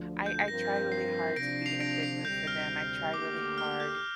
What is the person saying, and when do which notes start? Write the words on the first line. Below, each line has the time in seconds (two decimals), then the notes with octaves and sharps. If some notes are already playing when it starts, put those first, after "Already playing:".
I I try really hard to be in a good mood for them. I try really hard,
Already playing: D2 D3 F3
0.26 G6
0.48 G2 F3 C4 F4 A#4 A#6
0.92 C7
1.36 C3 F3 D4 A#6 D7
1.66 C7 F7
1.80 A#6 D7
2.03 C7
2.25 D2 C3 G3 G6
2.47 F6
3.13 D2 D3 A#3 G4 D6
3.58 F6
3.80 G6